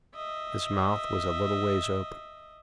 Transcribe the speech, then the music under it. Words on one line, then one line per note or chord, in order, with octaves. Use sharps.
His mouth was a little ways open.
D#5 E5